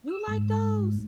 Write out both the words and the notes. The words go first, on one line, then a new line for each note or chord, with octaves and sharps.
You like those?
E6
G#2